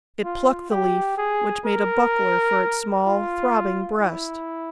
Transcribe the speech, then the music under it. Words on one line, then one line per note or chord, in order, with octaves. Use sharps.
It plucked the leaf, which made a buckler for its small throbbing breast.
F4
G4
G#4
A#4
F4
E4